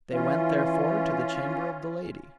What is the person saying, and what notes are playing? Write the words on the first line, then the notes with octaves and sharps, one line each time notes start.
They went therefore to the chamber of the lady.
E3 C#4 F4